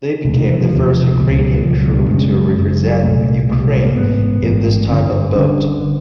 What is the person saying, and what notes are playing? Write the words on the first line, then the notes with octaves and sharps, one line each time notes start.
They became the first Ukrainian crew to represent Ukraine in this type of boat.
E1 D2 C3
D#3
E3
F3
E1 D2 C3
C#2 B2
G3
F#3
C#2 B2 F3
F#3
G3
F#1 F#2 C#3 G#3
F#1 F#2 C#3
C2 A#2 A3
C2 A#2 G#3
G3
G#3
A#3
A1 G#2 B3
A1 G#2
G1 G2 D3 C4
G1 G2 D3 C#4